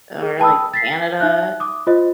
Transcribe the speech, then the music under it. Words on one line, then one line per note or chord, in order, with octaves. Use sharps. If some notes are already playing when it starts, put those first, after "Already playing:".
or, like, Canada
G#4
G5 A5 B5 D#6 E6
A6 B6 C7
D#4 E5 F#6
D6 D#6
F4 C5 D#5